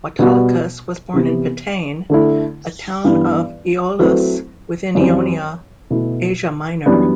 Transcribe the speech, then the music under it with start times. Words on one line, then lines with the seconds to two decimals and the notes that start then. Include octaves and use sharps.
Autolycus was born in Pitane, a town of Aeolis within Ionia, Asia Minor.
0.19 B2 G3 B3 F#4
1.14 C3 E3 B3 E4 G4
2.10 D3 A3 E4
3.04 G2 E3 B3 E4
3.99 F#3 A3 C4 E4 B4
4.95 F#2 E3 G3 C4
5.90 B2 A3 E4
6.86 F#2 E3 G3 B3 D4